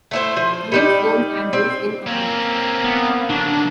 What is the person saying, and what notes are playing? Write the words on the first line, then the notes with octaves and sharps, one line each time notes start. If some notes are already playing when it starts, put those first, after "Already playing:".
James Gold Andrews in command.
A3 E4 C5
F3
G3 D#4 D5
C4
A#3 C4 C#4
B3
D3 F#3 D4